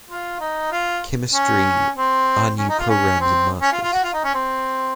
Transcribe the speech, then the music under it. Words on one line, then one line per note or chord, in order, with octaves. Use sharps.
Chemistry are new programs in Masters.
F4
D#4
F4
C#4
C4
C#4
D#4
F4
C#4
C4
C#4
F4
F4
F#4
F4
D#4
C#4
C4